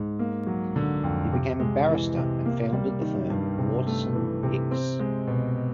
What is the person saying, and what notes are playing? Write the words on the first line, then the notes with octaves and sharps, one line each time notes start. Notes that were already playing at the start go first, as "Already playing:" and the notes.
He became a barrister and founded the firm Waterson Hicks.
Already playing: G#2
A#3
F#3
D3
F2
C3
G#3
E3
C3
A#3
G3
D#3
G2
C3
A3
E3
C3
C4
G#3
B2